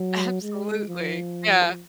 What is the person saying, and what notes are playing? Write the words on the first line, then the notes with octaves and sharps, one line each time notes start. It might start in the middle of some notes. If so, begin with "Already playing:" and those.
Absolutely, yeah.
Already playing: F#3
G#3
F3